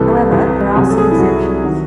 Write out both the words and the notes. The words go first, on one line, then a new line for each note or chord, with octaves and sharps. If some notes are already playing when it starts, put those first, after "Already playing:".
However, there are some exemptions.
Already playing: C2 C3 E3 A4
C2 C3 E3
C2 C3 F#3 G#4
A4
G#4
E4
C2 C3 F#3 F#4
D#3 F#3